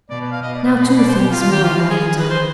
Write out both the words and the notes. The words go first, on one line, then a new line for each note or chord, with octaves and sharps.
Now two things more, and I have done.
B2 D5
B4
F5
B2 D#5
D5
C5
B2 B4
B4
D5
C5
G4
F4
D#3 F4
G4
F4
F3 F4
G#4
D#3 G#4
B4
C5